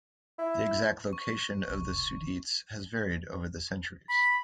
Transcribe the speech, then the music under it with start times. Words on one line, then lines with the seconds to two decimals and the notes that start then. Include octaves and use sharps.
The exact location of the Sudetes has varied over the centuries.
0.39 E4
1.13 C#6
1.68 E1 C2
4.09 B5